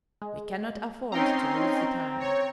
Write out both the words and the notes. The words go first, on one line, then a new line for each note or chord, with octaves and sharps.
"We cannot afford to lose the time."
G#3
C4 C#4 D#4 G5 A#5 C6
C#5